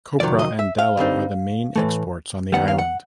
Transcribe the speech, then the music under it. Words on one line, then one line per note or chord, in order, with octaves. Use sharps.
Copra and Dalo are the main exports on the island.
F2 C3 D#3 F#3 D5
D#5
E5
F5
G2 D3 G3 C4 D#4
A2 E3 A3
D#2 D#3 G3 B3 F#5
F5
F#5